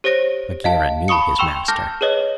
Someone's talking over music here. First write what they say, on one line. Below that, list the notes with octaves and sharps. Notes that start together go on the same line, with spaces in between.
Bagheera knew his master.
G4 C5 C#5 A#6 D7
D#5 F5 A5
A5 B5 C#6 D#6 C#7
G5 C6 C#6 E6 E7 F7
A5 D6 F6 G6 A#6
G#4 B4 C#5 D#5